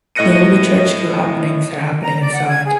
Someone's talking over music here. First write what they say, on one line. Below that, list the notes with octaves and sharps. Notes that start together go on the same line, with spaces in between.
No liturgical happenings are happening inside.
A2 D#5 F#6 A#6 C#7 D#7
A#5
D5
F#5
G#6
G#4